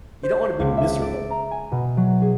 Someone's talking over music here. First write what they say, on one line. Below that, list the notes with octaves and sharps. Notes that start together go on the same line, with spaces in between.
"You don't wanna be miserable."
C5
C7
C#2
E5
D5
A#5
G#5
B2
F#3
G#4